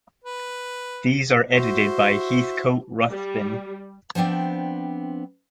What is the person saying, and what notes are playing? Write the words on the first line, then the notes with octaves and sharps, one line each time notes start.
These are edited by Heathcote Ruthven.
B4
E4 F#4 C5
G3
F3 B3 C4 D4 G5